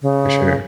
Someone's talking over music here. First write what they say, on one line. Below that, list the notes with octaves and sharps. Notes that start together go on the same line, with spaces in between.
For sure.
C#3